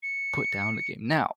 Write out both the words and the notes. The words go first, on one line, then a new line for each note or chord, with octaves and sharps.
put down a game. Now,
C#7